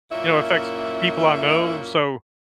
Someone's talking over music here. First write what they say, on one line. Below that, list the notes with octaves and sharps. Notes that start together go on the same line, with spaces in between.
you know, it affects people I know. So,
F#2 A#2 A#3 C#4 E4 E5